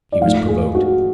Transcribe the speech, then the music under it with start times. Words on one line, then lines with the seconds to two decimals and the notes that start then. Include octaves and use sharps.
He was provoked.
0.12 D5
0.22 G#2 F3 A3 F5
0.48 G#4
0.75 F#4